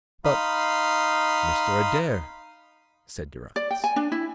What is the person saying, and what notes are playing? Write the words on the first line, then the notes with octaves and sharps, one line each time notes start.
"But Mr. Adair?" said Durrance.
D#4 F5 B5 C6 D#6
D5
G5
G#5
D4
E4